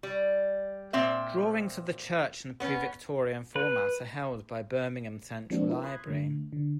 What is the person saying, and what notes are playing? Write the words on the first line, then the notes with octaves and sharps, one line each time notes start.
Drawings of the church in the pre-Victorian format are held by Birmingham Central Library.
G3
A#2 C4 E5
B3 C#4
B4
F3 G#3 A#3 C4 D4 F#4
E4 F4 A#4 B4
B5 C6 D#6 F#6 G#6
D3 A3
D3